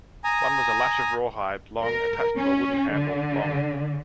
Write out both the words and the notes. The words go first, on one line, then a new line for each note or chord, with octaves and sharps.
One was a lash of rawhide, long, attached to a wooden handle, long.
G#5 A#5 D#6
A#4
C#4
D3